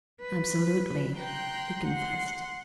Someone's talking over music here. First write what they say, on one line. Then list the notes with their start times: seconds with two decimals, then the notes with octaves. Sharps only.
"Absolutely," he confessed.
0.21 B4
1.17 G5 A#5 C6 F#6 G6
1.89 F#5 C6